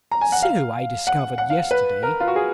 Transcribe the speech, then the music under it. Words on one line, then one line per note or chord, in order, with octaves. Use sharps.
So I discovered yesterday.
A#5
G#5
F#5
F5
F#5
F#5
F5
B4
A#4
F4
F#4
G#4